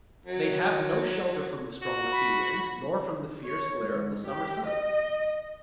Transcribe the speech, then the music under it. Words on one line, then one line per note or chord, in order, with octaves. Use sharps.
They have no shelter from the strong sea wind, nor from the fierce glare of the summer sun.
F#3
F#4
B5
C#5
G#2
G4
D#5